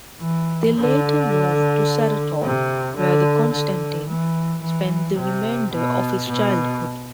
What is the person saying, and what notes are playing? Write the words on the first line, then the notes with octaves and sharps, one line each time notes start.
They later moved to Saratov, where Konstantin spent the remainder of his childhood.
E3
D3
C3
D3
D3
E3
E3
C3
B2
B2